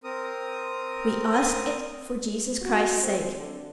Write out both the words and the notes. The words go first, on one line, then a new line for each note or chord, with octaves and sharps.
We ask it for Jesus Christ's sake.
C4 A#4 D#6
F#4
C4
D3